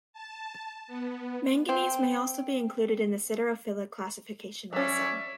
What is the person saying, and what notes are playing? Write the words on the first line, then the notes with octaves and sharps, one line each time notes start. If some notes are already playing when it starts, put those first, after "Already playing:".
Manganese may also be included in the siderophilic classification by some.
A5
B3
C4
F#3 C#4 C#5 D5 E5